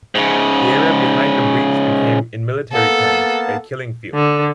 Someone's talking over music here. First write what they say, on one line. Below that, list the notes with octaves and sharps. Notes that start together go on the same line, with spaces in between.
The area behind the breach became, in military terms, a "killing field".
G#2 C#3
A#3 B3 A4 A5
D3